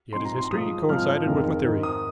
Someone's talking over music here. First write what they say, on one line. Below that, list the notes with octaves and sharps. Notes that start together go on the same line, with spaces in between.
Yet his history coincided with my theory.
G#2 F3 C4 D#4 C6
A#5
C6
G#2 F3 G#3 D#6
G#2 F3 C4 F6
F2 D#3 G#3 D#4
G#2 D#3 C4 D#4
D#6